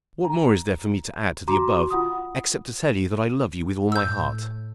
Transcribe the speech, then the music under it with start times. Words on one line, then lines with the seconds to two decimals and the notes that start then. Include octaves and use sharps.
What more is there for me to add to the above except to tell you that I love you with all my heart.
0.25 A#5
1.48 F#4 A#5 C6 D6
1.91 F4 F#5 D#6
3.92 A2 E6 G6